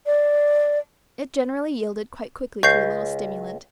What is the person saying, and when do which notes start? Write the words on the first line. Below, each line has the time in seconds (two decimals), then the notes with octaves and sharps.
It generally yielded quite quickly to a little stimulant.
0.06 D5
2.63 C#2 C#6 G6 C7